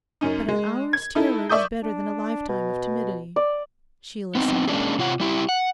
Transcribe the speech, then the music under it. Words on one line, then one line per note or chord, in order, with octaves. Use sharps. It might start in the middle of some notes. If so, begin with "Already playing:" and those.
But an hour's terror is better than a lifetime of timidity. Sheila sighed.
F#2 C#4 D#4
G#3
G#6
D#4 E4 A4
D5 E5 C#6 D#6 G6
D4
B2
D5
B3 C4 D#4
G#3 A#3 C#4 D4 E4 G#4
C3 F4 C#5 F#5
G3 E4 G4
F#5